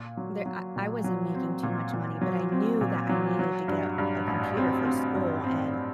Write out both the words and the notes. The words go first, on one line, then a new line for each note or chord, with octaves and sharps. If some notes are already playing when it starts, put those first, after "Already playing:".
there, I I wasn't making too much money, but I knew that I needed to get a computer for school, and
Already playing: A#2
F#3
F#3
A#2
F#3
C4
A#2
A#2
F#3
C4
A#2
F#3
F#3
G2
G2
A1
C4
C4
G2
C4